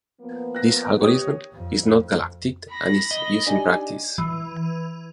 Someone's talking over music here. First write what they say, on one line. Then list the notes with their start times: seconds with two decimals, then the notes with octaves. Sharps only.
This algorithm is not galactic and is used in practice.
0.21 F3 A#3 B3
0.55 F#6 A#6
0.99 G4 C#5 D#6
1.53 F2
2.70 B5 A#6
3.11 D#5
3.47 D4 D#4 G4 G#5
4.18 E3